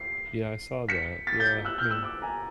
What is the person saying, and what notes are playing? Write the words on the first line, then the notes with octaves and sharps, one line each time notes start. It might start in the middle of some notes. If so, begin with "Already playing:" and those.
Yeah, I saw that. Yeah, I mean
Already playing: C7
B6 C#7
A6 B6
G6 A6
E6 F#6
F6 G6
E6 F#6
D6 E6
G#5 A#5